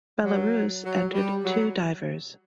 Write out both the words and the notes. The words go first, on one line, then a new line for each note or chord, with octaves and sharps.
Belarus entered two divers.
F#3
F#3
G3
F#3